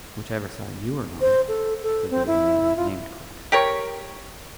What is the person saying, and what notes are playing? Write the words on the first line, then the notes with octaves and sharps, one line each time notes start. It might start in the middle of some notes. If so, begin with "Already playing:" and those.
"Whichever side you are on," said the young man named Crook.
C5
A4
A4
C4
E4
F4
G4 A#4 C#5